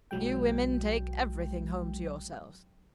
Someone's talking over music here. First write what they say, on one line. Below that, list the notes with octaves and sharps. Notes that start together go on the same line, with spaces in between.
You women take everything home to yourselves.
B1 F#3 G#3 G5